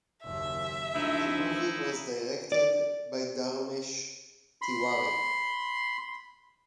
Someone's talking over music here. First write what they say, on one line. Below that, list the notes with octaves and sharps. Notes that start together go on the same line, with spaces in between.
The movie was directed by Dharmesh Tiwari.
F#1 D#2 E5
D2 F3 A3 D#4 E4
D5
B5 C6